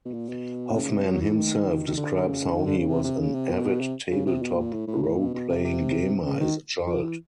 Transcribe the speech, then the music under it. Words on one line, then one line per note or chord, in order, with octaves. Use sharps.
Hoffman himself describes how he was an avid tabletop roleplaying gamer as a child.
B2
A#2
B2
C3
C#3
C3
F#3
E3
D#3
D#3
D3
C#3
D#3
D3
C#3
C3
C3
C#3
C3
B2
C3
C#3
C3
B2
A#2
A2
A2
A2
B2
B2
C3
C3
C#3
D#3
F3
E3